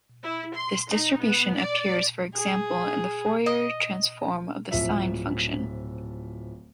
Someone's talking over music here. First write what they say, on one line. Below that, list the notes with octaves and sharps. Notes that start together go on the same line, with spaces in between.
This distribution appears, for example, in the Fourier Transform of the Sign function.
E4
C6
D#4
B3
D5
G#4
D#5
D1 F3 E5